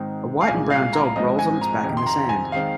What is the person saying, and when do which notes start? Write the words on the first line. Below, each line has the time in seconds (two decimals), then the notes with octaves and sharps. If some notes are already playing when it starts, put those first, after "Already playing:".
A white and brown dog rolls on its back in the sand.
Already playing: G#2 D#3 C4
0.41 F5
0.47 C2 A#2 G#3 G#5
0.70 F5
0.93 A#5
1.16 G#1 G#2 F3 C4 D#5
1.39 G#5
1.61 A#5
1.83 F2 C3 D#3 C4
1.97 C6
2.07 A#5
2.29 G#5
2.52 D#3 G#3 C4 F5